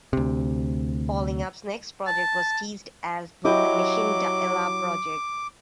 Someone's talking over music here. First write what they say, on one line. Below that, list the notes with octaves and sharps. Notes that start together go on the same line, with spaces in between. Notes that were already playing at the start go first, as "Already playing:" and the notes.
Falling Up's next project was teased as "The Machine De Ella" project.
D2 C3
A5
F#3 E4 G4 D#5 D6